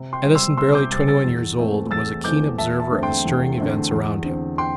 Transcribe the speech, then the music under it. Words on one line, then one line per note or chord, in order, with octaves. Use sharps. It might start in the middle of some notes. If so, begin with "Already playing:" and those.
Edison, barely twenty-one years old, was a keen observer of the stirring events around him.
Already playing: C3
G5 C6
G3 C4
C6 E6
C3 C6 E6
D6 G6
G3 C4 E6 A6
E6 A6
E2
E3 A3 C4
E2 E6 A6
E3 A3 C4 D6 G6
E2 E5 A5
E5 A5
D3 A3 C4
G5 C6
E2
D3 A3 C4
E2
D3 C4
G5 C6